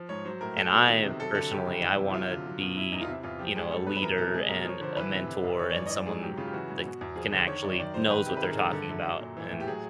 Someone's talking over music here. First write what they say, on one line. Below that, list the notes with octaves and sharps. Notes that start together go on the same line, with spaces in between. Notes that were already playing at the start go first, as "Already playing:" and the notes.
and, I personally, I wanna be, you know, a leader, and a mentor, and someone that c can actually knows what they're talking about and
Already playing: F3
G#2 C#5
F#3 C5
A2 A#4
F#3 A4
B2
D#3
C3
F#3 A4
D3 A4
C#3 G4
F#2
E3
C3
E4
F#3 F4
D3
F#3
B2
B2 E4
E2 D#4
F4
C3 E4
E2 F4
F3 G4
G#2 G#4
G3 A4
B2 B4
B4
E3 A#4
C3 A4
G#3 G#4
B2 A#4
F3 C#5
D3 C5
E3 B4
C3
C3
F2
E3 C#5
C#5
G2 D5
D#5
E3 D5
G#2 G#4
F#3 G4
C#3 F4
G4
E3 F#4
G#2
B2
E2
F3 G#4
D3 C5
D#3 C#5
F#2 D5
D#3 D5
G2 C5
D#3 B4
C3 G4
B4
D#3 A#4
G#4
G2 A4
D3 A4
F#2
F#3
A#2
E3
A2
G4
F#3 G#4